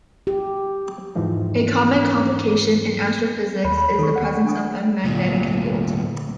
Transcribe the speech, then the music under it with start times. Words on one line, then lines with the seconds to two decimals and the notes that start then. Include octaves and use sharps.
A common complication in astrophysics is the presence of a magnetic field.
0.27 G4
1.15 E2 G#2 E3 F3 D#4
3.64 D#2 C#5 B5
3.78 A#5 B5
3.99 D#3 A4 C#6
4.16 F#5
4.45 D4 G#5 D#6
5.05 D2 A#2